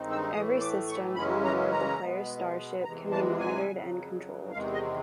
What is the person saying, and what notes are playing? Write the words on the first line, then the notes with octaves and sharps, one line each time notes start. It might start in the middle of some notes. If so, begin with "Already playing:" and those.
Every system on board the player's starship can be monitored and controlled.
Already playing: G2 D#3 G#3 C4 D#4
E6
A2 E3 A3 D#6
D6
C#6
F#2 C#3 E3 G#3 C#4 B5
A#5
A#5
B2 G#3 B3
E2 C3 E3 G#3 A#5
A5
G#5
F2 C#3 F#3
E2 C3 D#3 G#3 F5
D#5